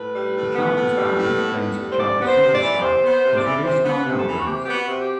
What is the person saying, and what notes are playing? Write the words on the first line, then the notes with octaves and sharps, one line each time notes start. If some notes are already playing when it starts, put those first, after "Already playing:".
Kochalka's band, James Kochalka Superstar, has released nine albums.
Already playing: A2 B4
G3
A2
B3
A2
G3
A2
B3
A2
G3
C5
C3 D5
B3 B4
C5
C3
D5
E3
C3 C5
B3
C5
C3
D5
E3
C3 C5
B3
B4
C3
A4
E3
E4
F#4
C3 G4
B3 G4
F#4
C3
F#4
G4